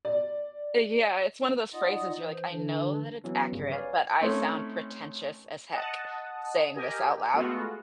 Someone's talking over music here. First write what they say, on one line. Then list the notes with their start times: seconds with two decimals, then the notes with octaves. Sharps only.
Yeah, it's one of those phrases you're like, "I know that it's accurate, but I sound pretentious as heck, saying this out loud."
0.05 D5
1.73 D#4 F4 D5 D#5 F#5 D#6
2.19 E3 C5
2.51 D3 E3 D4
3.24 E3 F#3 B3 C#4
3.52 G1 C#3 G3
3.71 B4 C#5 D5 F5 G#5
4.21 A3 C4 C#4 D#4 E4 C#5
5.75 D#5 F#5 A5 D#6
6.74 G4 A#4 D#5 G#5
7.34 G#3 A3 B3 F4 F#4